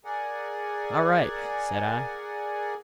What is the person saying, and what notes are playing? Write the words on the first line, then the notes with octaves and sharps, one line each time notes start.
"All right," said I.
G#4 A#4 D5 F#5 G#5